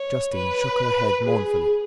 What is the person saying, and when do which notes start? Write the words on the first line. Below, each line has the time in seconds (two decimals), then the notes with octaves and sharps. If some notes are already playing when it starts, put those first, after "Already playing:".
Justine shook her head mournfully.
Already playing: C#5
0.34 B4
1.25 G#4